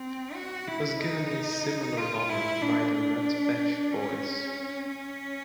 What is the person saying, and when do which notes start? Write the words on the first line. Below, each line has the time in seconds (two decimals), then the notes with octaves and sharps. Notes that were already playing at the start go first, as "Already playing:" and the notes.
He was given a similar honour by the Red Patch Boys.
Already playing: C4
0.35 F#4
0.67 E4
0.99 D#4
1.97 F4
2.29 E4
2.62 D4
2.94 D4
3.91 C#4
4.89 C#4